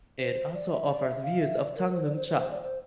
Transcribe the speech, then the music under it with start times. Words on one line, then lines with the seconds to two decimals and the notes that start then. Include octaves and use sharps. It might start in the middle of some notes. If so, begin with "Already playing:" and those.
It also offers views of Tung Lung Chau.
0.20 C5
0.54 D5
0.71 E5
0.88 D5
1.06 E5
1.23 F5
1.41 E5
1.59 D5
1.76 A#4
1.93 C5
2.05 D5
2.16 C5
2.28 C5
2.39 C5
2.50 D5
2.63 C5